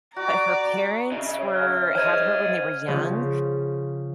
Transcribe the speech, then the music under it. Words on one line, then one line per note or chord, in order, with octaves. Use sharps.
but her parents were had her when they were young,
F#4 D5 A#5
C#3 D#5 E5
C#5 E5
F6
C5 D#5 F6 G#6 D#7
C#3 F3